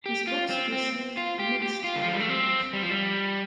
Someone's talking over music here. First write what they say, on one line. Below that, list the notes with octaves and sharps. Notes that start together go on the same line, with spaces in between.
His books received mixed reviews.
G4
F4
C4
C4
F4
G4
G4
F4
D3
F3
G3
A3
C4
G3
F3
G3